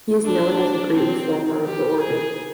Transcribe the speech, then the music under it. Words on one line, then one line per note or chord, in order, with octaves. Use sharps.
He is known as a great reformer of the order.
D4
C4
G4
G#4